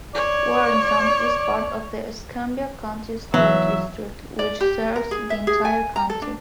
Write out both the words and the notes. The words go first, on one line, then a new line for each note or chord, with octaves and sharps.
Warrington is part of the Escambia County School District, which serves the entire county.
C#5 D5
E3 F#3 B3 E5
D5
G4
A#4
G#4
E5
G#4
G#5
A#5
A4
D4